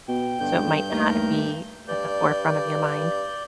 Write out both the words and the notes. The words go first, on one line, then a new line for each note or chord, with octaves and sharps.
so it might not be at the forefront of your mind.
B2 G5
G2 D3 G6
D#2 A3 A#4
G2 D5 G6